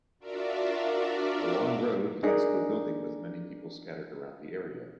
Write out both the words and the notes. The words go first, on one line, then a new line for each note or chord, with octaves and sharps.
A long road leads to a building with many people scattered around the area.
D4 F4 F#4 A#4 D5 E5
D4 D#4 G#4 A#4